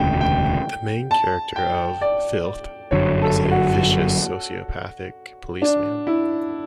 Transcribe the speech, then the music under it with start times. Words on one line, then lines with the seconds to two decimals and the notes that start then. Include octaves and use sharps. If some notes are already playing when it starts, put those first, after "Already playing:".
The main character of "Filth" was a vicious sociopathic policeman.
Already playing: E1 D2 C#3 G5
0.21 G5
1.11 A5
1.56 G5
2.01 D5
2.91 G1 F#2 D3 F#3 C#5
3.22 A4
3.51 F#4
5.62 D4
6.07 E4